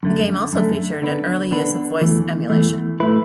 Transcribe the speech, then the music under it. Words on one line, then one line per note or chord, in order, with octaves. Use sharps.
The game also featured an early use of voice emulation.
F#2 D3 A3
F#2 D3 A3
D3 B3 D4 B4
D3 B3 D4 B4
E2 E3 A3
E2 E3 A3
A2 A3 E4 B4